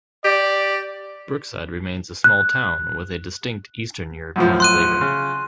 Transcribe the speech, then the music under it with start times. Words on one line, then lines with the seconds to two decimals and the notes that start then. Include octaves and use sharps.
Brookside remains a small town with a distinct Eastern European flavor.
0.25 G4 D5
2.24 F#6
4.36 F#2 A2 F3
4.60 C6 F#6 D#7
5.01 C#3